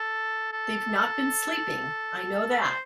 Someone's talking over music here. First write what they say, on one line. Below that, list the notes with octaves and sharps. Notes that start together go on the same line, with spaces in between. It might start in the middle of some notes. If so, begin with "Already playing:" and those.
They’ve not been sleeping, I know that.
Already playing: A4
A4
C5